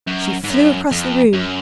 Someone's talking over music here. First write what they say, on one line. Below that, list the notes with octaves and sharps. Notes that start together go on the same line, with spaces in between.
She flew across the room.
F#2
G#2
F#2
F2
F#2